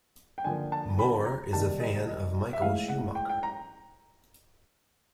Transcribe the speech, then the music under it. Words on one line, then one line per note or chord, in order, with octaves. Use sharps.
Moore is a fan of Michael Schumacher.
G5
D3 F3 A#3 G#5
A5
B5
A#5
C3 D#3 G3 A#3 A5
D#5
D#5
E5
A2 E3 G#3 F5
F#5
G5
G5
A#5